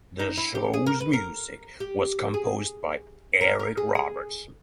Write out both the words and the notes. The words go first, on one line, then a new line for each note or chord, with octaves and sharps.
The show's music was composed by Eric Robertson.
D#4
E4
G4
G#4
A#4
B4
A#4
G4
G#4
A#4
A#4
G#4
G#4